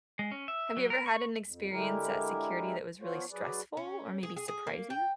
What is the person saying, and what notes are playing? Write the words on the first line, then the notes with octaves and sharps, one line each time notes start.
Have you ever had an experience at security that was really stressful or maybe surprising?
G#3
C#4
E5
F#3
A#4
C#6
F2
D3 G#3 E4 G4 A#4
F3 B3 F4 C5 C#5
F#3 G#4 B4 D5
C#4
G#4
G#4
G#4
A#3
G5